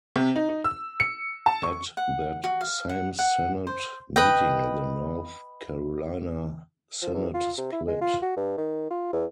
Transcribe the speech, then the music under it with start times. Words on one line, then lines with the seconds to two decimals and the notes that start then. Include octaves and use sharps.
At that same synod meeting the North Carolina Synod split.
0.16 C3
0.36 D#4
0.49 D#4
0.64 E6
1.00 C#7
1.46 A5
1.63 C#6
1.97 F#5
2.44 F#4
2.61 F5
2.89 F#5
3.19 F#5
3.67 C5
4.16 B4 D#5 G5
7.02 F3
7.15 E2
7.34 F4
7.58 C3
7.72 E4
7.87 G#3
8.01 F4
8.22 F#4
8.37 G2
8.58 D#3
8.91 F4
9.13 E2